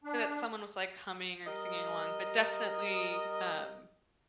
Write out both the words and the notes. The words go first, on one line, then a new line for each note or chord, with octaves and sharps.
that someone was, like, humming, or singing along, but definitely, um,
D4
G3 A#4 D#5